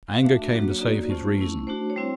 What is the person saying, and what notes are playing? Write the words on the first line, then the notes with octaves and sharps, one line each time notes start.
Anger came to save his reason.
F5
A3 D4 F#4 E5
F#3 A#3 D4 F#4
C#5
A#3 D#4 F#4 D5
A3 C#4 F4 C5
A3 C#4 E4
A3 D4 F#4 C5
C#5
G3 C4 E4 C5